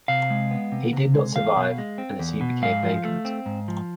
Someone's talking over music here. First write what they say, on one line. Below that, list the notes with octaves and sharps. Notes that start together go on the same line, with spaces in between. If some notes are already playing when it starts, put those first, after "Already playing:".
He did not survive, and the seat became vacant.
C3 F5
G#3
B3
C3
C3
G#3
E2 F5
B2
G#3
C4
E2
B2
G#2 F5
F3
A3
C4
G#2
F3